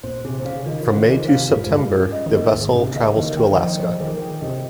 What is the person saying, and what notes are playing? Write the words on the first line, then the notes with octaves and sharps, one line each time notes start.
From May to September, the vessel travels to Alaska.
A#2 C5
C3 G#4
C#3 F5
D#3 F4
C#3 C5
D#3 G#4
C3 F5
G#2 F4
G#2
G2 G#4
C#4
D#5
D#3
A#3
G#2 G#4
C3 C#4
C#3 D#5
D#3 A#3
D#3 G5
F3 D#5
F3 G#4
D#3 G#4
G5
C3 D#5